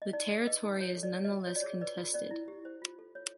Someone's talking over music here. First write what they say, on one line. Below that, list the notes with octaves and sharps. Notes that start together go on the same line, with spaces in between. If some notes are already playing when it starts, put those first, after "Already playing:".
The territory is nonetheless contested.
D#5
D#4 D5
G#4
B4 D#5
D#4
F#4 C#5
A4
D5
C#5
D#5
F#4
F4 C#5
D5
G#4 C#5
B4 D5
F4
C#4 D5
E4
G4
C5
F4
A4
C#5